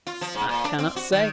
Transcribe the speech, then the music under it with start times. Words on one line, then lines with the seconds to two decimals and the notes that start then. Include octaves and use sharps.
'I cannot say.
0.07 F4
0.21 F3
0.35 G#2
0.49 A#2
0.64 D4
0.78 C4
0.96 F#4
1.12 D#3